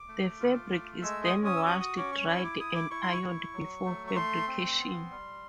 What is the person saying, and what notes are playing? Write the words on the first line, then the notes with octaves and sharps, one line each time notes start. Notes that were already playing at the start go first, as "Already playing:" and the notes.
The fabric is then washed, dried, and ironed before fabrication.
Already playing: D6
A3
F4
A3
G#3 E6
D#6
C#4
D#6
E6
F#4 D#6
D#6
C#4 D6
C#6
E4 C#6
D6
E4 D#6
D6
E4 C#6
C6
C#6
E4
F#3
A3
C#6
A3 C6
C4
B3
G3